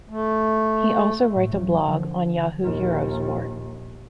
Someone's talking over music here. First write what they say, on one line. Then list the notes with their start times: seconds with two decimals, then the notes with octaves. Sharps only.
He also writes a blog on Yahoo Eurosport.
0.10 A3
1.36 A2
1.52 D1 A1 F#3
1.88 D3 F3
2.61 A#1 D#2